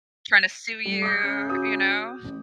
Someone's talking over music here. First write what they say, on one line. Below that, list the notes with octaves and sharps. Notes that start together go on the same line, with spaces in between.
tryna sue you, you know.
G3
D6 D#6 G6
C#3
F#4 D#6
A1